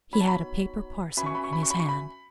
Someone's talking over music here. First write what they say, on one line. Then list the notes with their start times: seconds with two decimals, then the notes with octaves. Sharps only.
He had a paper parcel in his hand.
0.13 B3 D#4 F#4 C#5 B5
0.21 A5
0.27 B5
1.17 C#4 F#4 B4 E5 G#5 B5
1.26 C#6
1.35 B5
1.44 C#6
1.53 B5
1.63 C#6
1.70 B5
1.80 C#6
1.89 B5